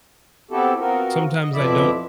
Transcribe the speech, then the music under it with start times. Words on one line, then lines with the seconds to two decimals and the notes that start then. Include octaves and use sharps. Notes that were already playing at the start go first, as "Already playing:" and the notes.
Sometimes I don't
0.51 B3 C4 E4 F#4 G4 A4
0.79 B3 C4 F4 F#4 A#4
1.40 D#5
1.53 F2 B2 F3 E4 D5 E5